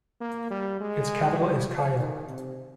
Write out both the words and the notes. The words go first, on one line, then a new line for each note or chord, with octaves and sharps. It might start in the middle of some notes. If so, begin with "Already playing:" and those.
Its capital is Kaya.
A#3
G3
G#3
G3
F3
D#3
C3